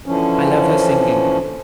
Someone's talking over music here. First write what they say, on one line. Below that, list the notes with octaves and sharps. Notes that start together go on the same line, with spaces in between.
I love her singing.
D3 E3 F3 C#4